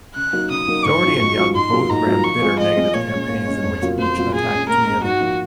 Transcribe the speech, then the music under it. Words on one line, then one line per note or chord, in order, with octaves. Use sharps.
Dougherty and Young both ran bitter, negative campaigns in which each attacked the other.
C#3 F#6
F#3 A#3 D#4 A#4
C#3 D#6
F#3 A#3 D#4 A#4
G#2 C#6
F#3 C#4 F4
G#2
F#3 C#4 F4
G#2 C6
F#3 A#3 F4
G#2 A#5
F#3 A#3 F4
F3 C#6
G#3 C4 F4 G#4
F3 D#5
G#3 C4 F4 G#4
A#2 C#5
G#3 C#4
A#2
G#3 C#4
F2
C#3 F#3 A#3 F4
F2 C5
C#3 F#3 A#3 F4
A#2 G#4
G#3 C#4
A#2 A#4
G#3 C#4
G#2 F#4
F3 A#3 D#4